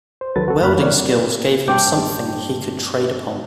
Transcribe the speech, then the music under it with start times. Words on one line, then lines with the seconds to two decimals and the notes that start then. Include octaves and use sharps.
Welding skills gave him something he could trade upon.
0.21 C5
0.36 C2 D#3 F#3 A4 B4 A6
0.48 F#4 A4
0.62 F#2 A#3 B5 F6 F#6
0.78 D#3 A#3 C#5 D5
1.68 G2 D5 G5 D6 G6